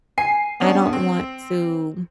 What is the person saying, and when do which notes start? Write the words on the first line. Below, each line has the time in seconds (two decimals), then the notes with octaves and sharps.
I don't want to
0.18 G#5 C7
0.60 B3 C#4 D4
0.93 C4